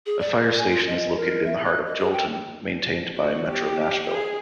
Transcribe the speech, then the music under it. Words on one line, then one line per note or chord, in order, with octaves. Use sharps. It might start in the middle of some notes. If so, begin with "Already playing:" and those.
A fire station is located in the heart of Joelton, maintained by Metro Nashville.
G#4
D5
A#4
G#5
F4
D#5
A#4
E5
F#6
D#5
G#4
G5
F#4
G4
G#4